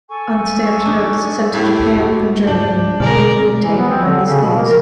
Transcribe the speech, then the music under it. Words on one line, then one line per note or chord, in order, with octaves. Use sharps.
Unstamped notes sent to Japan from Germany were legally obtained by these thieves.
A4 G#5 C#6
D4 D#4
A2 G4
F#4 A4
C#2 G#2 D4 G6
B2 D3 C4 A#4 D5 G#5 F6
E3
B3
C4
D3
C#3
B2
A#3
A#4